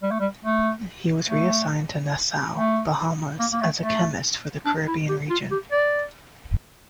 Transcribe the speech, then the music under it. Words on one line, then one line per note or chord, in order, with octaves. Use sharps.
He was reassigned to Nassau, Bahamas as a Chemist for the Caribbean region.
G3
A3
G3
A3
A3
A3
A#3
A#3
A3
A3
D4
E4
G4
F4
G4
D5